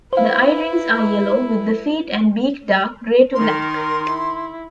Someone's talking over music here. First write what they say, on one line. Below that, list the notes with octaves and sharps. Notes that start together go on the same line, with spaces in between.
Their eye-rings are yellow, with the feet and beak dark gray to black.
E4 B4 C5 F5
D#3 A#4 C6
E4